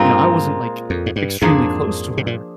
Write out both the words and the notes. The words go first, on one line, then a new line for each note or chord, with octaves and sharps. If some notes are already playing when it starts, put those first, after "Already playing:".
you know, I wasn't, like, extremely close to her,
Already playing: G2 A#2 G#3 C4 F4 A#4
F2
G#2
G2
F2 G#2 F3 A#3 D4 G#4
C3
A#2